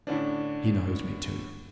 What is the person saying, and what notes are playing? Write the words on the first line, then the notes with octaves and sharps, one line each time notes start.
He knows me too.'
A2 D3 C#4 D4